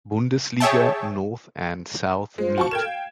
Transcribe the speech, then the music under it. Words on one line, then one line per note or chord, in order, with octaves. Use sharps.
Bundesliga North and South meet.
G#4 C#5 E5 G5 A5
G#3 F4 C5
F#4 A5 C#6
A4 A#4 G5 F6 G#6 E7
F5